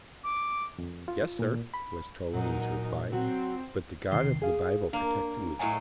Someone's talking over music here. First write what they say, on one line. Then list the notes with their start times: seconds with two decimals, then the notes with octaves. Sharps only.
"Yes, sir," was Toline's reply; "but the God of the Bible protected me."
0.24 D6
0.78 F2
1.08 F4
1.39 A#2
1.74 B5
2.33 E2 A#2 F#3 D#4 A#4
3.12 F#3 C4 F#4
4.11 E2 C3 D#3 C6
4.42 G#4 F5
4.93 A#3 D4
5.59 A2 F#3 G#3 E4 G#5